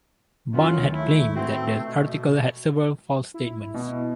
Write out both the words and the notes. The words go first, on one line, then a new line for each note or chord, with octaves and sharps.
Bond had claimed that the article had several false statements.
F#2 C#3 F#3 B3 F4
D2 D#3 F#3
A3 E4
C4 F#4 B4 C5
B2
E4
B2